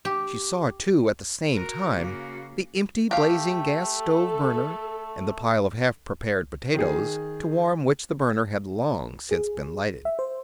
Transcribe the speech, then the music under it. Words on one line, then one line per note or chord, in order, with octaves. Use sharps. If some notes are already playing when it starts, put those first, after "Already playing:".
She saw, too, at the same time, the empty, blazing gas-stove burner, and the pile of half-prepared potatoes, to warm which the burner had long since been lighted.
G4
F#4 A#4
C#3 A#3
A3 G4 F5
A4
D#3 G#4
G#4
E5
C5